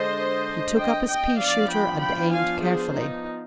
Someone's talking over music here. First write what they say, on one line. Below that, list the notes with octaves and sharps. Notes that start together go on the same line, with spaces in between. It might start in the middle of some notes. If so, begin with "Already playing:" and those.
He took up his pea-shooter and aimed carefully.
Already playing: D3 G#3 D4 C5 D#5
D#5 G5
D#5 G5
F3 B3 D4 D5 F5
G5 B5
G5 B5
F5 G#5
G#4 C5
D#4